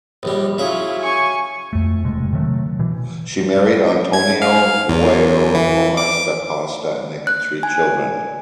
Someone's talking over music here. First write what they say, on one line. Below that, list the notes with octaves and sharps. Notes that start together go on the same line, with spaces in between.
She married Antonio Joao Gomes da Costa and they had three children.
A#1 D#2 G3
F#3 C#4 E4 F4 G#4
G#5 C#6
F2 A3
E1 C3 G#3 A3
C3 D#3 F#3 A3
B2 E3
G#6
F5
E2
E3
D6
F#6
G#5